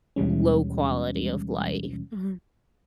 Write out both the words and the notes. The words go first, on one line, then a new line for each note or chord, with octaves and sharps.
low quality of life mhm.
D#2 B2 E3 G3 G#3 C#4